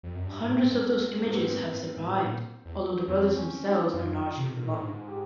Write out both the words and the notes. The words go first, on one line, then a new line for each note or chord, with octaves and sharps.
Hundreds of those images have survived, although the brothers themselves are largely forgotten.
F2
F#2
G2
G#2
A2 C4
G2
F#2
G2
A#3
A2 B3
G#2 C4
G#2
A2
A#2
E2
F2 C4
C#4
D#4
F#2 F4
C3
B2
A#2
A2
G#2
G4